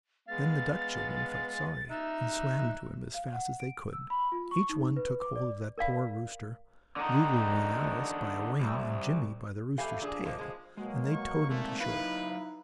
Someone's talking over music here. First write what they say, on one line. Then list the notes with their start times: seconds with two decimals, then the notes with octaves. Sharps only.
Then the duck children felt sorry, and swam to him as fast as they could. Each one took hold of that poor rooster; Lulu and Alice by a wing, and Jimmie by the rooster's tail, and they towed him to shore.
0.28 G#3 B3 F5 A6
1.90 D#4 E5 F#6
3.14 F5
3.33 F#5
3.59 D7
3.93 E6
4.10 B5
4.32 F4
4.51 C#6
4.69 D#4
4.97 B4
5.22 D6
5.36 D5
5.78 A#4 D5 F5 B5
6.96 D3 D#4
8.61 C2
9.78 F2 B2 A3 G4 F5 G#5
10.00 A#2 F3 D4 G#4
10.25 F3 G#3 A#3
10.38 F3 G#3
10.77 B2 F#3 G#3 A#3 F#4
11.12 C#6
11.50 A#2 F3 G#3 A3 C4
11.80 F#3 D#4 E4 B4 F5